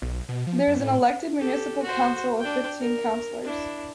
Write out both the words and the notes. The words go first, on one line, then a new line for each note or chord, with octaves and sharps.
There is an elected Municipal Council of fifteen councilors.
B1
B2
F3
F#2
A2
G4 A4
F#4 C5
D4 G5
A#4
D4 E4